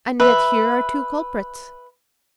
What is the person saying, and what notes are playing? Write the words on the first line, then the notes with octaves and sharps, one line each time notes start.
"And yet here are two culprits."
B4 E5